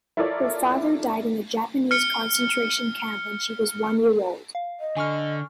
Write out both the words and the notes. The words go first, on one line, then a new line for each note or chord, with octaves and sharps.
Her father died in a Japanese concentration camp when she was one year old.
E4 F4 A4 A#4 C#5 D5
F6 C#7
F5
D#5
D3 G#5 C#6 F6